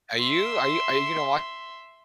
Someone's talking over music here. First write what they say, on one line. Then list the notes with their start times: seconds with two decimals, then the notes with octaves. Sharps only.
Are you are you are you gonna wa
0.17 E5 C6